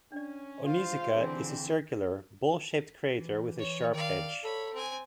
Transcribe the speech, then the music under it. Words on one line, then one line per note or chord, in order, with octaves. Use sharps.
Onizuka is a circular, bowl-shaped crater with a sharp edge.
C#4 D4 D5
G#3 F4 C5 F5
D3 E3 C4 G#4
E3
C#5
D#3 D5 F5
A4 C#5 B5
C4 G#5